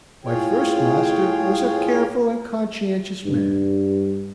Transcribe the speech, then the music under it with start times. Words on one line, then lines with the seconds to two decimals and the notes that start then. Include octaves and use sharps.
My first master was a careful and conscientious man.
0.25 A2 F4 G#4 C#5 G5
3.24 G2